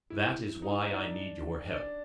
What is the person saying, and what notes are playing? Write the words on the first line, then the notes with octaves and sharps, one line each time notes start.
That is why I need your help.
E4
D#4
D4
D4